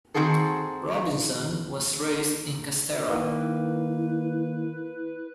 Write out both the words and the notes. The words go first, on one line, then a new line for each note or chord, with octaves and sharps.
Robinson was raised in Castara.
D#3 E3 C4 F#4 G#4 A4
D#3 A#3 E4 B4